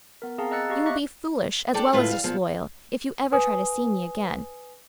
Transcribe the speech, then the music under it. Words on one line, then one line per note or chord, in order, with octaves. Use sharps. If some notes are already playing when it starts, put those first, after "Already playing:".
You will be foolish, as well as disloyal, if you ever try to see me again.
B3 A#4
C4 G#4 F5 A5 A#5
D#5 A#5 E6 F#6 A6 C#7
G4 D#5 F5 C#6
D#5 E5 C#6 D6 F#6 A#6
D4 G4 A4 D5
D2 A2 F4 B4 E5
G3 F5
A#2 F3 B3
B4 G#5 D#6